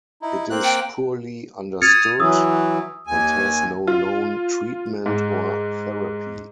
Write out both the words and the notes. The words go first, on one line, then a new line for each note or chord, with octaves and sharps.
It is poorly understood and has no known treatment or therapy.
D#4 E4
A#3 C4 F#6
G5
D#6 F6 G#6 A6 C#7
E3 F#3 D#6 E6
D#2 G#5
F4
G#2